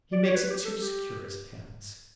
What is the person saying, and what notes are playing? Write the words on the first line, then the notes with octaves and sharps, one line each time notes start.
He makes it too secure, as it happens.
D5
C#5
B4
G4
A4
G4